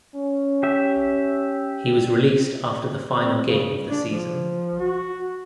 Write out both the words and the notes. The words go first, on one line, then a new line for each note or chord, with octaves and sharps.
He was released after the final game of the season.
C#4
G4 E5
C4
C#3
D4
F3
F#4